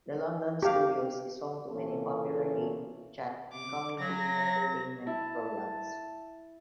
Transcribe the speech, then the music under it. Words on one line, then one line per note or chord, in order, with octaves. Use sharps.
The London Studios is home to many popular game, chat and comedy entertainment programmes.
G4 F5
A#2 C#3 E3 A#3 C#4 A4
D6
C#3 F#3 A#6
E4 A5